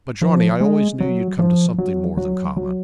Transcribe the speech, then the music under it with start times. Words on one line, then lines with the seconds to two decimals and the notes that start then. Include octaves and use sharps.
But, Johnny, I always knew you'd come to something more than common.
0.22 F3
0.61 G#3
1.00 F#3
1.39 F3
1.78 F#3
2.17 F#3
2.57 F#3